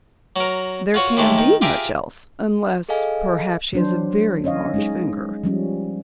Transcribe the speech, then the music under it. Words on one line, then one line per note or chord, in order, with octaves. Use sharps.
"There can't be much else--unless perhaps she has a very large finger."
F#3 A#4
F4 F#4 C#5
D#2 D#3 G#3 A3
D#3
F4 G4 G#4 A#4 E5
G#4 A4 D#5 F5 G#5
F#3 D4 C5
C#4 C#5 D#5 F5
G#3 D#4 G#4
F3 G3 C#4